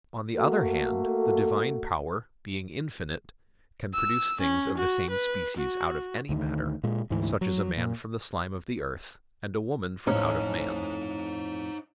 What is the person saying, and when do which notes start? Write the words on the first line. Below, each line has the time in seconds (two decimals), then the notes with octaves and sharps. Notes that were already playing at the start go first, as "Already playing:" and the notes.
On the other hand, the Divine Power, being infinite, can produce things of the same species out of any matter, such as a man from the slime of the earth, and a woman from out of man.
0.35 A3 A#3 F#4 A4
3.94 E6
4.41 C#4
4.78 F#4
5.10 B4
5.57 F#4
6.29 D2 D#3
6.83 A#2 G#3
7.10 D2 G#2 E3
7.41 F#3
7.77 A#2
10.07 F2 A2 C#4 D#4 C5 A#5